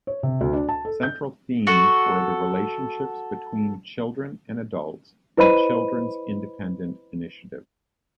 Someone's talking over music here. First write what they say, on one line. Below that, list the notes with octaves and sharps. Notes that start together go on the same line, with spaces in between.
Central themes were the relationships between children and adults and children's independent initiative.
C#5
C3
D2
D4
A5
A4
G6
F#4 A4
E4 B4 C5 D#5 B5 D#7